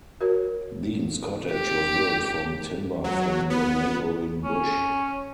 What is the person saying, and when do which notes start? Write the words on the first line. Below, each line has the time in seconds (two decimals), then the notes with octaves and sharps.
Deans Cottage was built from timber from the neighbouring bush.
0.21 F#4 A#4 C#5
1.53 G4
3.04 F#3
3.50 B3
4.44 C#4